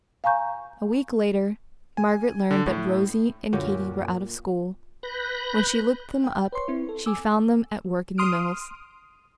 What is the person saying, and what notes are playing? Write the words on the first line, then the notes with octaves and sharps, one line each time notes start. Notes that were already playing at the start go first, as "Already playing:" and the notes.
A week later Margaret learned that Rosy and Katy were out of school. When she looked them up she found them at work in the mills.
F5 G#5 A#5 C#6 G6
G#5
D3
A2
F#2 A#2 D3 F#4 G4
B4 B5 F#6 G6 A#6
G5
B4 C#5 C6 C#6
C4 E4
A4
G#5 D6 E6
C6 D#6 F6 D7